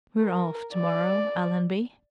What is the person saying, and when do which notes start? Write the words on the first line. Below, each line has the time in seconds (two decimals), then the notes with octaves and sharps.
"We're off to-morrow, Allenby."
0.20 A#4
0.74 D5